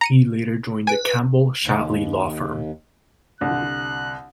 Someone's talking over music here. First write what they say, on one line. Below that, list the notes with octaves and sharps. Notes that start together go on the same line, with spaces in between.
He later joined the Campbell Shatley law firm.
A#5 C#7 D#7
B4 G#5 D7
D#2
C2 D3 F#6